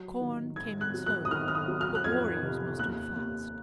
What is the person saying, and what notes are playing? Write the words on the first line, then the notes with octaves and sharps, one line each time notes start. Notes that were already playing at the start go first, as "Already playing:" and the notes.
Corn came in slowly, but warriors mustered fast.
Already playing: F#3
D#3
D#3 G#6
F#6
F#3
F#6
D#6
D#3 F6
F6
D#6
F#3
F6
F#6
F2 G#6
C3
D#2 F#6
D#2